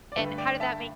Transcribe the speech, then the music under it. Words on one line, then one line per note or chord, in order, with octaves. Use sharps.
And how did that make
D5
G2 D3 A3 B4 E5
D5 G5
E5 A5